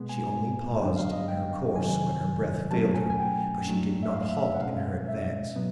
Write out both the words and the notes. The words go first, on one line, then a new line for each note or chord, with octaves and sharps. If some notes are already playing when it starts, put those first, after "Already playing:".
She only paused in her course when her breath failed her; but she did not halt in her advance.
Already playing: B2 G#3 B3
G#5
D3 F#3 B3 D4 G5
F5
D#5
G5
C3 D#3 F#3 G#5
B2 F#3 A3 C#4 E4 A5
G#5
G#5
G5
F#3 A3 D4
E5
F5
E5
E5
F#5
B2 G#3 C#4 F5
E5
B2 F#3 B3